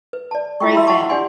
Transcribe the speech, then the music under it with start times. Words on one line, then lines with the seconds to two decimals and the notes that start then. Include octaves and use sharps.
Great film.
0.13 B4
0.31 D5 A5
0.60 E4 F4 G5 C#6
0.73 E4 E5 F5 B5 C6 E6
0.87 D#5 F#5 G5 A5 C#6 D6
1.09 D4 G4 D5 F#5 G#5 C6